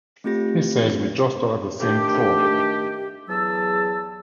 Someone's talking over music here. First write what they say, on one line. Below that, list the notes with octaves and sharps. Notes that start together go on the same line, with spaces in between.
He says we jostle at the same trough.
A3 C4 F4 G4 A#6
D#3 A3 D4 G4
E2 F#3 G#4 A5 E6